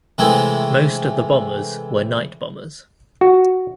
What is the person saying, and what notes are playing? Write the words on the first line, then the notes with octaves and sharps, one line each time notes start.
Most of the bombers were night bombers.
C3 E3 G#3 A3 E4
F#4